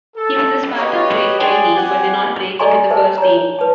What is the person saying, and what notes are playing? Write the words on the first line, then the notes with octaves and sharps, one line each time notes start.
He was a Sparta Prague trainee, but did not break into the first team.
A4
F#4 G4 B4 C#5 D#5
F#4 G#4 D5 G5 G#5 C6
C4 G4 F#5 G#5
A4 D5 D#5 G#5 A#5 C6
A#4 C5 E5 A5
C#5 A#5
B4 A5